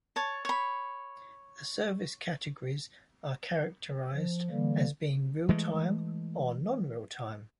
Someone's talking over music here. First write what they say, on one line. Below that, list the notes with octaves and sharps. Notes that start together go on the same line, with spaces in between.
The service categories are characterised as being real-time or non-real-time.
C#5 A5
C#5 B5
F3
D3 E3 G3 A#3
E3 G#3 A3